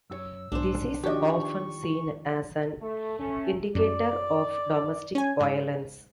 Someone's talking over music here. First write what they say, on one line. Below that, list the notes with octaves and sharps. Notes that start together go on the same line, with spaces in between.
This is often seen as an indicator of domestic violence.
F#2 F#4 C#5 E6
B1 G#2 D4 C5
D#3 F3 D4 F#4 G4 D#5 G5 C#6
A3
A3 C#4
F#2 D5
C#4 G#5
G#2